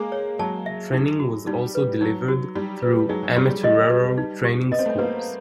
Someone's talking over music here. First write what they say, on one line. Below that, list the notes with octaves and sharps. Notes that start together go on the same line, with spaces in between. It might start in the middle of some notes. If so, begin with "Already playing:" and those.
Training was also delivered through amatorero training schools.
Already playing: G#3 A#3 G#4
C#5
F#3 G#3 A5
E5
D#4
F#4
G3 D#4
B4
F#3 D#4
F#4
G3 D#4
B4
F#3 G#3 D#4
F#3
G3 G4
G3
G3 D#5
B4
D#4
G4
B3 D#5
C4
A3 B3
A#3 C4 B4